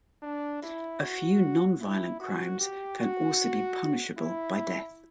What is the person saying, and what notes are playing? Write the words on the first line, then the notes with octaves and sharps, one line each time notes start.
A few non-violent crimes can also be punishable by death.
D4
E4
F#4
E4
F#4
G4
F#4
E4